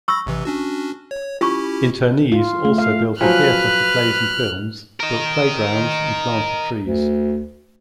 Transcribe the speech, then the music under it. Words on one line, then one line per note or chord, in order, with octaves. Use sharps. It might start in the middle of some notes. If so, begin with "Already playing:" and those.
Internees also built a theater for plays and films, built playgrounds, and planted trees.
B5 C#6 E6 A#6
A1 C3 E3
C#4 D4 F#4
C#5
C#4 E4 F4 G4 C#6
F4
A3
F5
F3 F#3 B4 C5 F5 G#5 F6 F#6
A#4 D#5
D2